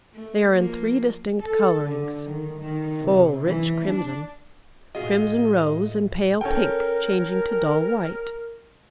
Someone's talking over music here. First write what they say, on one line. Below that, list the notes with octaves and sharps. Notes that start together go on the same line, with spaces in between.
They are in three distinct colourings--full rich crimson, crimson-rose, and pale pink changing to dull white.
A3
F3 A#3
A4
D3
D#3
D#3
C3
E3
D4
A2 F4 F#4 G#4 D#5
C#4 A4 A#4 G5